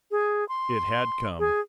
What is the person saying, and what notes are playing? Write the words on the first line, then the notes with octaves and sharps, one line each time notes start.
It had come!
G#4
C6
G#4